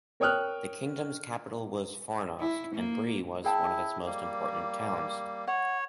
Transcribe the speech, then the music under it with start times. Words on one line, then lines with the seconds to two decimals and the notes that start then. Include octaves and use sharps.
The kingdom's capital was Fornost, and Bree was one of its important towns.
0.20 A#4 C#5 G5 D#6 F6 F#6
2.40 E4
2.75 A#3
3.44 E4 G#4 G5 A5
4.06 G3 A#3
5.47 C#5 F#5